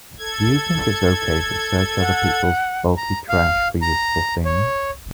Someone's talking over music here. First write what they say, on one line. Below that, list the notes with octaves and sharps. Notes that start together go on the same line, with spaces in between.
Do you think it's okay to search other people's bulky trash for useful things?
A4 G#6
F#5
A#5
F5
A#5
C#5